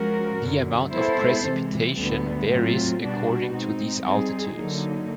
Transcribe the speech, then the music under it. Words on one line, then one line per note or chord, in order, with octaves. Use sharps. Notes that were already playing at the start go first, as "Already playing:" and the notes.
The amount of precipitation varies according to these altitudes.
Already playing: F3 G#3 C#4 F#4 A#4
F#2 D3 F#3
G#3 B3 E4 A4 C5
C3 E3 G#3
D2 D3 G3 B3
A2 F#3 A3 C4 F4
B2 G3 B3 D4 F#4
G#3 C4 D#4
G3 C4 D#4 G#4
D3 F#3 A#3 D#4